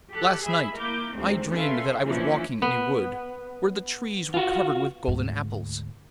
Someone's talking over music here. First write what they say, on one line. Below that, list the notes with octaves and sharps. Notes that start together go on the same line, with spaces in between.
Last night I dreamed that I was walking in a wood, where the trees were covered with golden apples.
G4 A4 F#6
G#4 E5 B5
A#3 E4 A#4 D6 G6
D2 G#2 C3 A3 C4
C#4 A4 B4 E5 F5 C6
E3 F3 A#3 C#4 D4 E4
B3
F4 F#4
D2 G#2